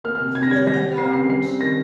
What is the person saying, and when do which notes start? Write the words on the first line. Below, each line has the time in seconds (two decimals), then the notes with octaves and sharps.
feel about
0.04 A#3 F6
0.15 C3 F6
0.35 C3 G#6
0.43 A#6
0.51 G3 G#6
0.67 G3 A#6
0.82 G3
0.98 C4 C7
1.13 C#3 C7
1.29 G3 C7
1.45 C4
1.61 D#3 A#6